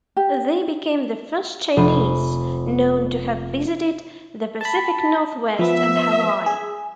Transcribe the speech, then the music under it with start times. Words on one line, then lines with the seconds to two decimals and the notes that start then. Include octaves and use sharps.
They became the first Chinese known to have visited the Pacific Northwest and Hawaii.
0.17 G4
1.76 F1 C5 B5 D#7
4.61 A5 B5
5.59 F3 B3 E5
6.46 G#4